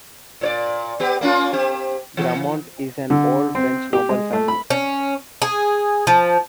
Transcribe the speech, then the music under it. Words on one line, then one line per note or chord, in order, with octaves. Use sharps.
Gramont is an old French noble family.
A#2 C#5 D5
B3 G4
A#3 C#4 F4
C4 G4
E3
D3
C4
G4
G#3
A3
B5
C#4
G#4
F3